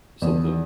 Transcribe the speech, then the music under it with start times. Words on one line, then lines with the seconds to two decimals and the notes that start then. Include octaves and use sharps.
or something?
0.22 E2